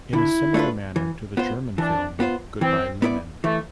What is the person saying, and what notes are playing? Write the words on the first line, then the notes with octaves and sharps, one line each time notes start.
In a similar manner to the German film Good Bye Lenin!
D3 E4
A3 D4 F4 B4
E3
B3 F4 C5
E3 D4
B3 F4 C5
E3 C4
B3 E4 B4 D5
E3 A3